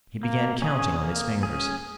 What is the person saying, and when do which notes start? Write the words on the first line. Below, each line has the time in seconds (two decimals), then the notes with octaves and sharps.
He began counting on his fingers.
0.23 A#3
0.62 C#4 G#4
1.03 A#3
1.43 C#4 G#4